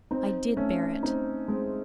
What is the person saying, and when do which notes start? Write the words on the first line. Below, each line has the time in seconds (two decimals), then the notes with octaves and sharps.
I did bear it.
0.11 C4 D#4
0.57 A3 C#4
1.03 C4 D#4
1.48 G#3 C4